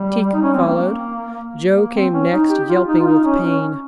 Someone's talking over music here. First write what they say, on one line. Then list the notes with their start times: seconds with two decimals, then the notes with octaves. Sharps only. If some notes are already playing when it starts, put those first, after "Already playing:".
Teek followed. Joe came next, yelping with pain.
Already playing: G3
0.34 D#4
0.43 C#4
0.53 C4
0.64 A#3
1.75 A#3
1.94 C4
2.12 C#4
2.31 D#4
2.50 G4
2.68 F4
2.88 D#4
2.99 F4
3.07 D#4
3.25 C#4
3.44 C#4